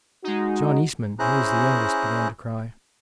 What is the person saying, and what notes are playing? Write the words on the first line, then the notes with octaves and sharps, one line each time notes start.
John Eastman, who was the youngest, began to cry.
G#3 D#4 F#4
C#4 E4 G#4 C5 A#5 F#6